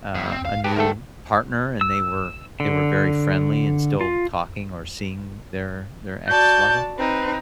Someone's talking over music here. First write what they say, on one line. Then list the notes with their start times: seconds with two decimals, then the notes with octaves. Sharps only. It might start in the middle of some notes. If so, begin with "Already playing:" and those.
uh, a new partner and they were they were very friendly and still talking or seeing their their ex-lover?
0.15 F2
0.31 C4
0.45 F5
0.64 G4 B4 A5
0.76 D2 A3 A4 A#4 G5
1.81 E6
2.60 D3
4.01 F4
6.28 F#4 D5 A5 G6
6.98 C4 D#4 B4